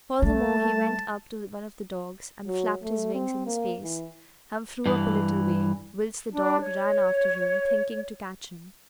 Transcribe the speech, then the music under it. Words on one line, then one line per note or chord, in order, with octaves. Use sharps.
Furthermore he went up to one of the dogs and flapped his wings in his face and flew up a little way, whilst the dog ran after him thinking to catch him.
G3 A3 A5
F#3
A3
C4
A#3
E3
G2 E3
D4
C#5